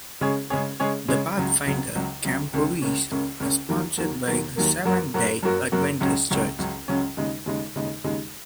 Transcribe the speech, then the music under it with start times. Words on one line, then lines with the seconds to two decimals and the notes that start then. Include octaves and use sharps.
The Pathfinder camporees are sponsored by the Seventh-day Adventist Church.
0.21 C#3 G#3 C#4 G#4 C#5
0.50 C#3 G#3 C#4 G#4 C#5
0.80 C#3 G#3 C#4 G#4 C#5
1.08 C#3 G#3 C#4 G#4 C#5
1.37 C#2 C#3 F#3
1.66 C#2 C#3 F#3
1.95 C#2 C#3 F#3
2.24 C#2 C#3 F#3
2.53 C#2 C#3 A#3 C#4
2.82 C#2 C#3 A#3 C#4
3.11 C#2 C#3 A#3 C#4
3.40 C#2 C#3 A#3 C#4
3.69 D#2 D#3 F#3 A#3
3.98 D#2 D#3 F#3 A#3
4.27 D#2 D#3 F#3 A#3
4.56 D#2 D#3 F#3 A#3
4.85 F#2 F#3 A#3 F#4 A#4
5.14 F#2 F#3 A#3 F#4 A#4
5.43 F#2 F#3 A#3 F#4 A#4
5.72 F#2 F#3 A#3 F#4 A#4
6.00 C#2 C#3 F#3 C#4
6.31 C#2 C#3 F#3 C#4
6.58 C#2 C#3 F#3 C#4
6.88 C#2 C#3 F#3 C#4
7.17 D#2 C#3 G#3 D#4
7.46 D#2 C#3 G#3 D#4
7.76 D#2 C#3 G#3 D#4
8.04 D#2 C#3 G#3 D#4